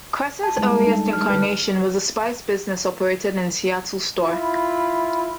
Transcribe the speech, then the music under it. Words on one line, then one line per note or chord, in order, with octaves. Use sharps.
Crescent's earliest incarnation was a spice business operated in a Seattle store.
A5
G3 G#3 E4
D4 D#4 A4
F6
D3 B4
E4 F4 B5